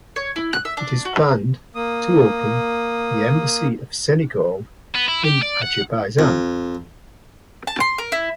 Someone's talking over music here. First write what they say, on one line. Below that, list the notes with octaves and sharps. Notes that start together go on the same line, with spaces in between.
It is planned to open the Embassy of Senegal in Azerbaijan.
C#5
E4
F#6
E5
D4
F#4
A#3 D#6
B3
E4
G4
D5
F#5
F2
A5
C6
A#4
E4